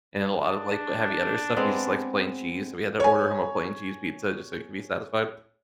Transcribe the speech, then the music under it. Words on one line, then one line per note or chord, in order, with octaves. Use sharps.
and a lot of like heavy other stuff, he just likes plain cheese, so we had to order him a plain cheese pizza just so he could be satisfied.
D4
G#3 B3 C4
C#5 G#5